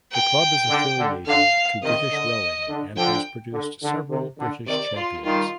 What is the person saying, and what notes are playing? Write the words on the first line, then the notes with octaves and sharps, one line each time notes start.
The club is affiliated to British Rowing and has produced several British champions.
G5
D3
D3
D3 F5
C3 D#3 D#5
D3
D3
D3 F3 G5
D3
D3
C3
D3
C3 D#3 D5
F4
D#3 G3 F4